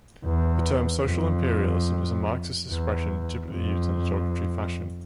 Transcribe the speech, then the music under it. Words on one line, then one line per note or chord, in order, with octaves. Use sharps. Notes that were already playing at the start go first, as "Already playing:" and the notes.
The term "social imperialism" is a Marxist expression, typically used in a derogatory fashion.
E2
F2
E2
F2